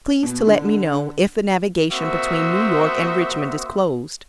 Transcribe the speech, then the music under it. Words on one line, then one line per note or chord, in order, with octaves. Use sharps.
Please to let me know if the navigation between New York & Richmond is closed.
B2
D3
A#3 C4 F#4 C5 E5 D#6